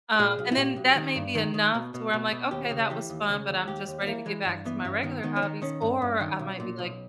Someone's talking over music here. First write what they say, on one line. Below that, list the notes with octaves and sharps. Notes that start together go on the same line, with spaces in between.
um, and then that may be enough to where I'm like, "Okay, that was fun, but I'm just ready to get back to my regular hobbies," or I might be like,
A#2 G#4
B1
E4
A#2 G4
B1
D#3
G2
D#3
D#3
B2
B2
B2
B2
D#2 G4
C#3
E3 G4
D#2
C#3 G#4
D#2
D#2 G4
D#2
B3
E3 A#3
E3 G#3
G2
E3 B3
G2 C#4
D#3 B3
D#3 B3
C#4
D#3 D#4
D#3 C#4
G2
G2
D#3
B1
A#2
B1